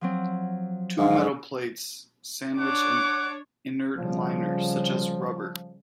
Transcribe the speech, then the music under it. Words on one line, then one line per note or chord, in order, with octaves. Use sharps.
Two metal plates sandwich an inert liner, such as rubber.
F3 F#3 C4
G#2 F5
D4 C#5 F#5 D6
C#3 F3 G3